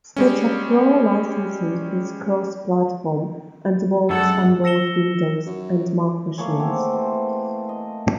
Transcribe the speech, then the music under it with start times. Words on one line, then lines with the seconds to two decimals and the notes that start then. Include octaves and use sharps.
SketchUp Pro licensing is cross-platform and works on both Windows and Mac machines.
0.16 G3 G#3 C#4
4.10 F#2 G#3 A4 F#5
4.64 E6 A#6 C#7 E7 G7
5.47 F#2
6.38 A3 A#3 G#4 C#5
6.59 C4 F#5 C#6 D6
6.93 E3 C5
7.27 C6
7.69 D#5